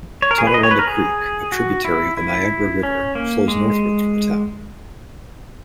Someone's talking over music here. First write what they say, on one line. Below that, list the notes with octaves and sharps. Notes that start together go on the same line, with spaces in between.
Tonawanda Creek, a tributary of the Niagara River, flows northward through the town.
C#5
A#4
G#4
B4
D#5
C#5
B4
A#4
G#4
F#4
E4
E4
C#4
A#3
G#3